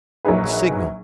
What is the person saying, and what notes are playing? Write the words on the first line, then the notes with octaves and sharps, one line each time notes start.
The signal!
A#1 F#3 A#3 D#4 G#4 B4